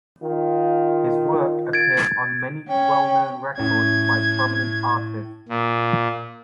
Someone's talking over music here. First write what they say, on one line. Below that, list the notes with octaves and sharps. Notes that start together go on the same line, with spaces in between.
His work appears on many well-known records by prominent artists.
D#3 F4
G#6 A6 D7
C#4 G5
A2 C#4 G#6
A#2